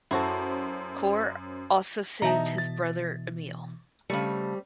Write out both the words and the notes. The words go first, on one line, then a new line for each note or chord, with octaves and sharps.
Cor also saved his brother Emil.
F#2 E4 F#4 A4 C5
B2 E3 D#4 D#5 E5 A5 A#5
A6
C#3 G3 A3 C4